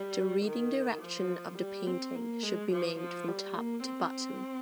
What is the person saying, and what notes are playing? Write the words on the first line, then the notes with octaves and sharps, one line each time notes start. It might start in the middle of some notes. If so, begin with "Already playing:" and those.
The reading direction of the painting should be made from top to bottom.
Already playing: G3
D#3
F3
G3
C4
A#3
G#3
F3
F3
G3
A#3
C4